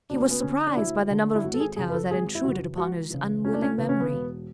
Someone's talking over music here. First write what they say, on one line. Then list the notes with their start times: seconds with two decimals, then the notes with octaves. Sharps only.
He was surprised by the number of details that intruded upon his unwilling memory.
0.10 D2 D4
0.20 C#4
0.31 B3
0.42 D3 C#4
0.67 D4
0.77 D2 E4
1.10 D3
1.35 E4
1.44 G#1 F#4
1.54 A4
1.60 G#4
1.76 F#2 C#3 E3 G#4
1.90 B4
1.93 A4
2.11 G#1 G#4
2.35 E4
2.43 F#2 C#3 E3 F#4
2.78 C#2 F#4
3.10 C#3 E3
3.45 C#2 C#4
3.54 D4
3.62 C#4
3.78 C#3 E3 B3
3.89 C#4
4.00 B3
4.12 E1